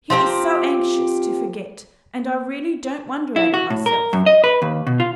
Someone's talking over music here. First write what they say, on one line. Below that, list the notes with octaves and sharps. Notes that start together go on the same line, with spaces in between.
He is so anxious to forget, and I really don't wonder at it myself.
F3 C4 G4 A#5
E4
F#4
A2
A#4
F#2
D#5
B4
D#2
B2
F4